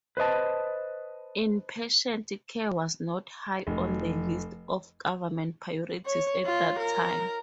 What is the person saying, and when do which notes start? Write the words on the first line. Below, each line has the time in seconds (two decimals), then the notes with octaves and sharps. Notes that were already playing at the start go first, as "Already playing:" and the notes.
Inpatient care was not high on the list of government priorities at that time.
0.17 B4 C5 D#5 A5
3.67 F1
6.06 C#5
6.46 F4
6.79 A#4